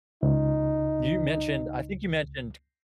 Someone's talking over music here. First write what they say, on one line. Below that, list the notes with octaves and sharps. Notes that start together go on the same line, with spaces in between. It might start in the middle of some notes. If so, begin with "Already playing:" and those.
You mentioned, I think you mentioned
C#2 D#4